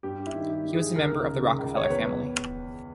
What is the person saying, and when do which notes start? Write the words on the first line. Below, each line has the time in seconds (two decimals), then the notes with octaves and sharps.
He was a member of the Rockefeller family.
0.03 G2 G4
0.27 E4
0.34 D#3
0.50 G4
0.65 D#3
0.73 G#4
0.96 C#2 A#4
1.28 C#3
1.59 C#2
1.77 C#5
1.90 E2 B4